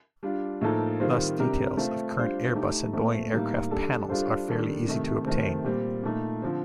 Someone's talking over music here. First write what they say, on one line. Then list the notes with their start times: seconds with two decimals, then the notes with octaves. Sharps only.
Thus details of current Airbus and Boeing aircraft panels are fairly easy to obtain.
0.23 G3 D4 F4
0.61 A2 F3 A#3 D#4 A4
1.00 D#3 G3 C4 F4 C5
1.39 C3 G3 D4 G4 A#4
1.77 A3 C4 F4
2.16 G3 D4 F4 C5
2.55 A3 D#4 G4
2.93 A#2 A3 C4
3.32 A2 G3 A#3 D#4
3.71 G3 D4 A4
4.09 G3 D4 F4 A4 C5
4.48 D#3 G3 D4 A4
4.87 C3 D#3 A3
5.25 C3 D#3 A3 C4
5.64 A#2 G3 C4
6.03 A#2 A3 D#4
6.42 D3 F3 C4